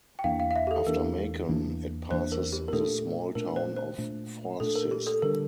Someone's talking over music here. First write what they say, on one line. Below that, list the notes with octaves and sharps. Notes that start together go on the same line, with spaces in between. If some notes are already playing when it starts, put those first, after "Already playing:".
After Macon it passes the small town of Forsyth.
G5
E2 E3 A#3 D4 F5
F5
F5
E5
G4
A4
E2 E3 A#3 D4 A#4
E2 E3 A#3 D4
E2 E3 A#3 D4 C5
A#4
G4
A#4
A#2 A3 D4 A4
A#2 A3 D4 A#4
C5
C5
A#2 A3 D4
A#2 A3 D4 A4
A#4
G4
A4
D3 G3 D4 A#4